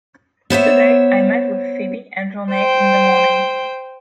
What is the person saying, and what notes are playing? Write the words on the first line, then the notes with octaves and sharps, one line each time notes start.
Today I meet with Febe and Roné in the morning.
B3 C5 C#5 E5
C5 G5